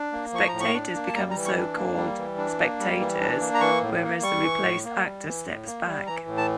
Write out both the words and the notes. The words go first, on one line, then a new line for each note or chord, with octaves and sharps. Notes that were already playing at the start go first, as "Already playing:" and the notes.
Spectators become so called "spect-actors", whereas the replaced actor steps back.
Already playing: D4
A#3
F3 C#6
A2 A#5
C#6
D4
A#3
A5
G3 A#5
A#5
E3
C#6
D4
A#3
G3
E3
D4
A#3
G3
E3
D4
A#3
A#5
E3 C#6
A2
A#3
G3 C#6
E3
A2
A#3
G3
E3
A2
A#3
G3
E3 A#5
A2
A5